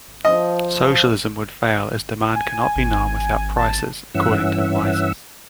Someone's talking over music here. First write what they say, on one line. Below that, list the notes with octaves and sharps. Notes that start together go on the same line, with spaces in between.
Socialism would fail as demand cannot be known without prices, according to Mises.
F3 D#5
G#5
G#1
A5
G2 E3 C#4 E5 F#5 E6